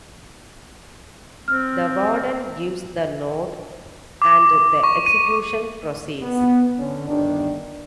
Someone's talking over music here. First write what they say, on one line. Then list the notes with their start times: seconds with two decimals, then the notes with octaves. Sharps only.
The warden gives the nod, and the execution proceeds.
1.48 C4 F6
4.22 D6
4.84 C#6
5.06 D#7
6.21 B3
6.78 D3 C#4
7.08 G1 D#3 D4